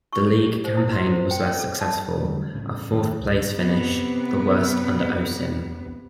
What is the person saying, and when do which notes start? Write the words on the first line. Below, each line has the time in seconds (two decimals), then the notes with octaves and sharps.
The league campaign was less successful - a fourth-place finish, the worst under Osim.
0.13 C#6
0.27 A4
0.45 G4
0.64 C5
0.77 E4
0.93 C6
1.12 C5
1.31 G5
1.46 C#5
1.59 A4
1.81 A5
2.17 D3 F#3 G3 A3
2.54 A2 C#3 A3
2.91 F#2 D#3 A3
3.19 C#2 A2
3.55 C3 B3